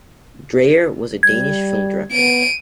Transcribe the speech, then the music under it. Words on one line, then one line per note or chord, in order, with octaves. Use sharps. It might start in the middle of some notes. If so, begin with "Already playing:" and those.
Dreyer, was a Danish film director.
G3 G#6
B3 D7 D#7